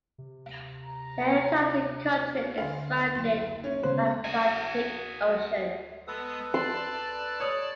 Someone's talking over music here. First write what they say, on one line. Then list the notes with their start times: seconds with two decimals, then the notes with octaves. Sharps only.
The Antarctic continent is surrounded by the Antarctic Ocean.
0.18 C3
0.86 A#5
2.58 D3 D4 F5 G#5
3.15 F#1 G5 C6
3.64 C#4
3.83 C#3 G#3 B3 C5
4.25 F#4 G#4
6.07 G#3 B3 A4 B4 D#6
6.54 D5 A5 C6
7.40 C#5 D#6